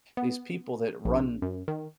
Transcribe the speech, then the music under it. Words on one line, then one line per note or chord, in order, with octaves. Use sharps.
these people that run
B3
A#1
F#2
D#3